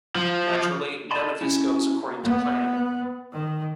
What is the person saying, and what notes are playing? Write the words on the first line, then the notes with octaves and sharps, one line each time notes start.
Naturally, none of this goes according to plan.
F3
D5 D#5 A5 B5 C6
C#4 E4
B3
D#3